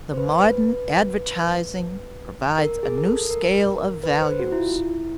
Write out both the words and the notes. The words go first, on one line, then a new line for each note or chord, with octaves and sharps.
The modern advertising provides a new scale of values.
C5
B4
B4
A#4
G#4
A#4
A4
A#4
B4
C5
F#4
E4
F4
E4